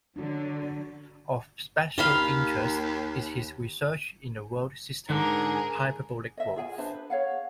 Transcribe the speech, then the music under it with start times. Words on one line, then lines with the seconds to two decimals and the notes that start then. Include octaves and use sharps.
Of special interest is his research in the World System hyperbolic growth.
0.16 D3 F#3 D4 F#4
1.98 D#2 F5 B5 C6
5.09 G#2 D3 G#4 A#4
6.37 D#5 E5
6.56 F4 G#4 G5 G#5
6.78 D4 B4 C5 E5
6.94 B4
7.10 G#4 C#5 F5 F#5